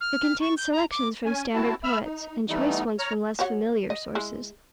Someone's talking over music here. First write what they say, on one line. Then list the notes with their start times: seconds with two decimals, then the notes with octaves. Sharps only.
It contained selections from standard poets, and choice ones from less familiar sources.
0.01 F6
0.41 C#6
0.57 G6
0.72 A#5
0.91 D6
1.25 C#4 G#5
1.54 C4 E4 F#4 A5
1.84 E5 B5 E6 F6
2.04 D#4
2.49 E3 G3 A3 B3 D#4
2.99 C#5 A#5 F6
3.39 F#4 C#5 F#5
3.90 D#5
4.15 G#3 E4